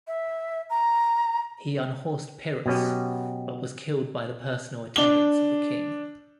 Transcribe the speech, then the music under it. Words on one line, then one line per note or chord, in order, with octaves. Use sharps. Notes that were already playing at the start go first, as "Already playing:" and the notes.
He unhorsed Pyrrhus but was killed by the personal attendants of the king.
E5
A#5
B2 F#3 B3 C#4 G4
D4 G7